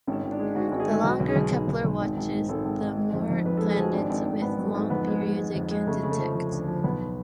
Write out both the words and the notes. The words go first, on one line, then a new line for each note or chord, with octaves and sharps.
The longer "Kepler" watches, the more planets with long periods it can detect.
G#1 C#4
G#1
D4
G#3
G#2 F#4
F#4
G#1
G#4
G#3 A4
B1 F#4
B1
G#4
B1
B1
B1
B1
G#1
G#1
G#2
G#1 A4
G#1
G#2
G#3
F2
F2
F2 B4
A4
G#3
G#4
F3 F#4
G#1 D4
G#1
G#1
G#2 B3
F#3
A3
G#2
F2 B3
G#3
G#3
G#3
F2
G#3
C#3 A3
C#3
A3
F3
F3
D2
F3
B1 B3